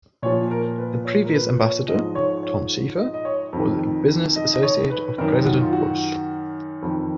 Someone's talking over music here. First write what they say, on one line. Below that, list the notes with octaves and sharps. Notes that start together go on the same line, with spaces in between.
The previous Ambassador, Tom Schieffer, was a business associate of President Bush.
A#2 F3 C#5
A#4
B4
C#5
A#4
B4
C#5
G#2 F3 D#5
C#5
C#5
D#5
D#5
C#5
F2 D#3
D#5
D#5
C#5
B4
F#2 D#3 A#4
F#4
F4
F#4
F2 D#3